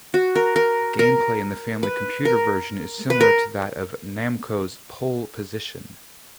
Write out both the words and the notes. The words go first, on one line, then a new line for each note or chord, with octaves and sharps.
Gameplay in the Family Computer version is similar to that of Namco's "Pole Position".
F#4
A#4
A#4
A#4
B4
A#4
B4
A#4